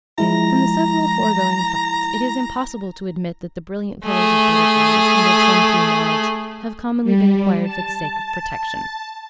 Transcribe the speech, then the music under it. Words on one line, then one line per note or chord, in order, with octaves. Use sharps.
From the several foregoing facts it is impossible to admit that the brilliant colours of butterflies, and of some few moths, have commonly been acquired for the sake of protection.
F3 G#3 E4 A#5
A3 G#4
G3
A5